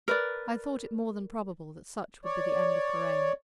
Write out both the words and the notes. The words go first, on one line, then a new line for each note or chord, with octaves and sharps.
I thought it more than probable that such would be the end of Karain.
A#4 B4 D5
C#5 D5